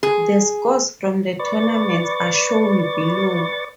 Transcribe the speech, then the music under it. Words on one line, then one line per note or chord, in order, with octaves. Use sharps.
The scores from the tournament are shown below.
G#4
B4 D5 C#6 A6